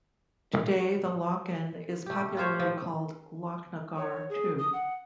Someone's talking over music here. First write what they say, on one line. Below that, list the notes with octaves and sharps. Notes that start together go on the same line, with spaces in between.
Today the lochan is popularly called Lochnagar too.
A3 G4
F4 G4 C5 C#5
F3
C#5
G#4
D#6
F#5